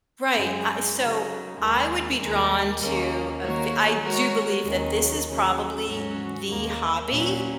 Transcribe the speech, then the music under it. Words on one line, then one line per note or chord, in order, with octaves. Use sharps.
Right, I so, I would be drawn to a vi I do believe that this is probably the hobby
F#2 C#3 G#3
C#3 F#3 D#4
D#2 D#3 G#3
D#2 D#3 G#3 D#4
D#2 D#3 A#3 C#4
D#3 A#3 F#4 A#4 C#5
G#3 F#4 A#4 C#5
D#2 D#3 F#3 C#4
D#2 C#3 F#3 C#4
G#2 F#3 C#4 F#4
D#2 D#3 A#3
A#2 F#3 C#4